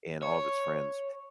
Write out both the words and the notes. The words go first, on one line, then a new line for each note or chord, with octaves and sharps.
and all of his friends?"
C#5